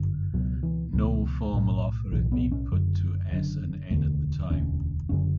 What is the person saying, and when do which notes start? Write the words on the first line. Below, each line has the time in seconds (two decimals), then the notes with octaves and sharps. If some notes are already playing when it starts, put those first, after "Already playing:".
No formal offer had been put to S and N at the time.
Already playing: G1 F#2 D3
0.33 C#2 B2 F#3
0.63 E3
0.93 C#2 B2 E3
1.53 B1 A2
2.12 B1 A2 E3
2.32 B3
2.52 C#4
2.72 F#1 F#2 D3
3.31 F#1 F#2 D3
3.90 E1 D2 D3 A3
4.50 E1 D2 D3 C#4
5.09 F#1 F#2 D3 C#4